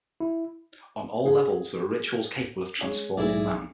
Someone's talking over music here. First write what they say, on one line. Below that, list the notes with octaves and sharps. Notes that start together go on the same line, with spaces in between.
On all levels there are rituals capable of transforming man.
E4
G#4
G#3 C#5
B1 E4 G#4 D5